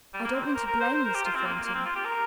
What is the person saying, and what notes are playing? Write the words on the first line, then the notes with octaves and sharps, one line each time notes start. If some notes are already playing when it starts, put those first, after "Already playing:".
I don't mean to blame Mr. Thornton.
G3
A#3
C4
C5
A#4
A#4
C5
C5
A#4
G4
F4
C4
A#3
A#3
C4
F4
G4
A#4